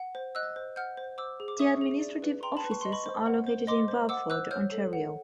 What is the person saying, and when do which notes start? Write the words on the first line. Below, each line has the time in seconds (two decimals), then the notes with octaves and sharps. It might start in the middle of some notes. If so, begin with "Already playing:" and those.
The administrative offices are located in Burford, Ontario.
Already playing: F#5
0.15 C5
0.35 D#5 E6 F#6
0.56 C5
0.76 F#5 F6 G6
0.97 C5
1.18 C5 D6 E6
1.40 G#4
1.48 D6
1.59 E5 C#6 D#6
1.81 G#4
2.01 D5
2.22 B4
2.43 G5 A#5 C6
2.57 A5 B5
2.64 B4
2.71 C#6
2.81 D#5 C6
2.92 B5 C#6
3.06 C5
3.26 F#5
3.47 C5
3.67 D#5 C6 D6
3.88 C5
4.09 F#5 D6 E6
4.30 C5 E6 F#6
4.51 C#5 F6 G6
4.72 A4
4.93 F#5